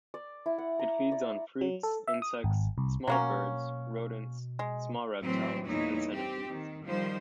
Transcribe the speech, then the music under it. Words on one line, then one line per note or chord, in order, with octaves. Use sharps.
It feeds on fruits, insects, small birds, rodents, small reptiles and centipedes.
D5
E4
F#5
A#5
D5
F#3
A4
E5
D#6
G#1
C2
B2 F#3 A#3 C#4
G#3
A2 E3 F#3 C4
E2 A#2 G3 D#4 E4 C#5
C4 G4
D#3
D#3 F3 G3 C5